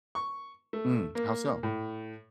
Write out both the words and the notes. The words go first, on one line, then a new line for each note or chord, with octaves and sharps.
Hmm, how so?
C#6
A3
A#3
A2